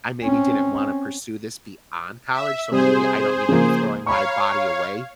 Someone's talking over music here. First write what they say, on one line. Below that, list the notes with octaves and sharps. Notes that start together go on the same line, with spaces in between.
I maybe didn't wanna pursue this beyond college, so maybe I don't need to be throwing my body away,
C4 C#4
E5
C3 G3 C4 G#4 C5
C#3 F3 A#3
C#5 F5 A#5 B5 C#6